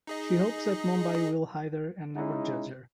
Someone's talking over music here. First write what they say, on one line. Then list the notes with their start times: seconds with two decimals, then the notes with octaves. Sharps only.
She hopes that Mumbai will hide her and never judge her.
0.07 D#4 G#4 D#5
2.15 G#3 C#4 D#4 E4